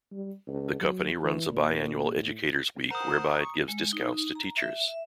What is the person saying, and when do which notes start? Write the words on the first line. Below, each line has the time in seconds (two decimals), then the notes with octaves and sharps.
The company runs a bi-annual educator's week whereby it gives discounts to teachers.
0.12 G3
0.47 C#2
0.81 F#3
1.20 E3
1.50 A#2
2.16 A2
2.91 A#4 C5 F#5 A#5 D#6
3.39 C#6
3.68 G#3
3.93 D#4
4.35 A#5
4.57 E5
4.88 E5